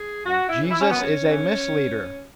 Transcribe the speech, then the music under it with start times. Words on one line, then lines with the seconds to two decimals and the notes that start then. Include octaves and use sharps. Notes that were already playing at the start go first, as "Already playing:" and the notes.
Jesus is a misleader.
Already playing: G#4
0.26 F#2 F#4
0.49 E4
0.60 C#3 E3
0.70 E4
0.81 C#4
0.91 F#2 B3
1.01 C#4
1.27 C#3 E3